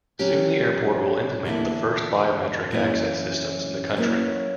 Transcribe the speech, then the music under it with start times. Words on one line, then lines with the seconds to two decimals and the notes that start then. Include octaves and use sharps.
Soon, the airport will implement the first biometric access systems in the country.
0.19 F#3 C#4 G4
1.45 E2 D3 A#3 E4
2.71 F#2 E3 A#3 C#4 E4
3.97 F#3 A#3 C#4 E4 B4